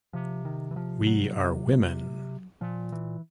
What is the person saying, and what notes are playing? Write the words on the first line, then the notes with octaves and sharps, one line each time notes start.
We are women.
C3 F3
D#3
E3
F3
F#3
A#2 F3
E3